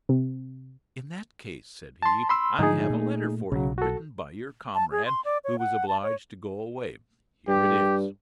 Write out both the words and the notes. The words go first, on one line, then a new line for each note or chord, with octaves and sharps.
"In that case," said he, "I have a letter for you, written by your comrade, who was obliged to go away. Here it is."
C3
A5 C6
B5 C6 E6
G#2 D3 F3 D#4 G#4
A#2 A3
B1 C#3 F#3
F#4 A4
A5
G#4
C6
D5
C#5
F#5
A5
C#5
G2 G4